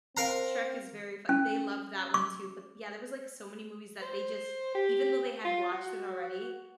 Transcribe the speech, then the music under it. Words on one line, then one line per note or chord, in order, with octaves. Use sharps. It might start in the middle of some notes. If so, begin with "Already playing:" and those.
Shrek is very fun they loved that one too, but, yeah, there was, like, so many movies that they just even though they had watched it already,
C4 A#4 F5 A#5
C#4
D6
C5
G4
F4
F#4